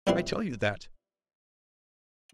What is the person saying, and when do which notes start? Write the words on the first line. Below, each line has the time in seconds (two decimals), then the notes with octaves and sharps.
I tell you that.
0.07 A#2 G3 C4 E4 B4 C6